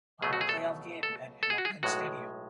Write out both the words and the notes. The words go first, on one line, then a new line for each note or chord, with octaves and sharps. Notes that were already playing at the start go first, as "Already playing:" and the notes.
Final playoff game at Anaheim Stadium.
C#2 B2 F#3 A3 G#4
F#4
G#4
A4
A4
A4
G#4
F#4
G#4
B1 A2 G#3 F#4